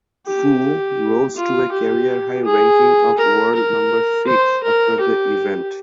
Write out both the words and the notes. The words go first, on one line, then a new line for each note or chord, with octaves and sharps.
Fu rose to a career-high ranking of world number six after the event.
G4
F4
G4
G#4
A#4
A#4
C5
A#4
G4